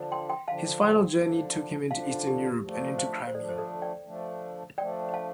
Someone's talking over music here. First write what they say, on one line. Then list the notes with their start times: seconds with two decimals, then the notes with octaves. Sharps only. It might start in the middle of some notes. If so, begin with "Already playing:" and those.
His final journey took him into Eastern Europe, and into Crimea.
Already playing: D3 F3 D4
0.12 G5 C6
0.29 G5 C6
0.48 D3 F3 D4 F5 A5
0.83 G5 C6
1.19 D3 F3 D4
1.91 D3 F3 D4 F5 A5
2.27 G4
2.63 F3 A3 D4
2.98 C5 F5
3.27 C5
3.34 F3 A3 D4 A4 D5
3.49 C5
3.58 A4 D5
3.82 D5 G5
4.06 F3 A3 D4
4.78 F3 A3 D4 D5 G5
5.13 F5 A5